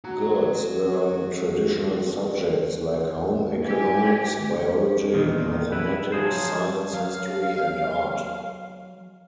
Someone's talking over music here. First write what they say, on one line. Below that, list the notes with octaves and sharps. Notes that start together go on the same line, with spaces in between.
Girls learn traditional subjects like home economics, biology, mathematics, science, history and art.
F#4 A#5
E4 G4 G#5
E2 A#2 D#3
E4 B4
F3 F#3 G#4 C5
F#3 F5